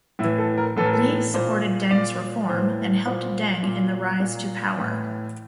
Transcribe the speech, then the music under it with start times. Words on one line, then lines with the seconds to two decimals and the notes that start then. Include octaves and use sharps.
Li supported Deng's reform and helped Deng in the rise to power.
0.19 A2 E4
0.24 E3
0.38 A4
0.58 A#4
0.76 A2 E3 A4
0.85 A#4
0.93 A4
1.34 A#2 C5
1.91 A#2 D5
2.49 A2 E3 C5
3.06 A#2 C5
3.63 A#2
4.20 A#2
4.77 A2 E3